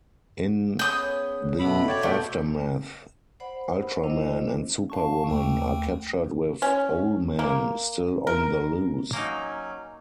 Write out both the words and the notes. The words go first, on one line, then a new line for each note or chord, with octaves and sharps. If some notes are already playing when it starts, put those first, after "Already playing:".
In the aftermath, Ultraman and Superwoman are captured with Owlman still on the loose.
B3 C#4 G#4 D#6 G6
B2 D3 E5 B5
C#5 D5 G5
B2 A3 G4
C5 D5 F#5 B5
D4 E4 C5 D#5
F5 A5 C#6
D#2 A3 G5
C#4
A#3
A#4
F#3 A#3 C#4 D#4